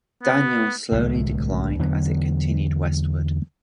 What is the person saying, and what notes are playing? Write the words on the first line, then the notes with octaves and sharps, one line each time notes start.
Daniel slowly declined as it continued westward.
B3
D1 C2 G#3 A3
E2 D3 F#3 B3